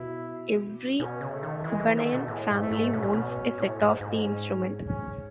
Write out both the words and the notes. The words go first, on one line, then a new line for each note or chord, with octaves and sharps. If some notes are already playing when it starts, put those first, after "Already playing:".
Every Subanen family owns a set of the instrument.
Already playing: B2 E4
B2 C#4
C#3
A3
D#3
E3 G#3
E3
D#3 A3
B2
A2 G#3
G#2
A3
G#2
B2 C#4
A2
B2
A2
G#2
G#2
C#4
C#4